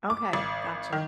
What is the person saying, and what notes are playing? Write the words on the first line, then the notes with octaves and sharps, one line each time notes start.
Okay, gotcha.
D6
G#1
D#3